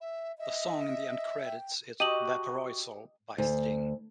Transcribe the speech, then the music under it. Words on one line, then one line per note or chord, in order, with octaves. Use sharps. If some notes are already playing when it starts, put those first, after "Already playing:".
The song in the end credits is "Valparaiso" by Sting.
E5
D#5 E5
E5
G5
F#4 G4 D#5 A5 D#7 F#7
D2